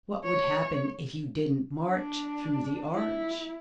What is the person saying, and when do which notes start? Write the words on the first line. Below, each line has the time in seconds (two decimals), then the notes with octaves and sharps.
"What would happen if you didn't march through the Arch?"
0.24 C#5
1.86 D4
2.94 E4